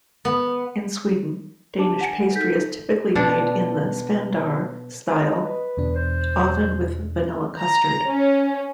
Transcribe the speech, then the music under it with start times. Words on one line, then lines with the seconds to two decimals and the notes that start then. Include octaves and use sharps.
In Sweden, Danish pastry is typically made in the Spandauer-style, often with vanilla custard.
0.25 B3
1.78 D4 G4 A5 D6
2.01 F#5 G#5
2.35 D#4 A4 G6 B6
3.15 B2 D4
5.25 D#5
5.44 B4
5.77 E2 B2 D4
5.95 C5
7.59 A#5
8.06 C#4